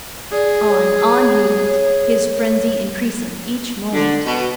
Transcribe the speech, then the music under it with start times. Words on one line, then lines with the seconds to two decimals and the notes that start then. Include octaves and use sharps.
On--on he went, his frenzy increasing each moment.
0.32 G#4 D5
0.68 C#5
3.93 D3
4.26 B2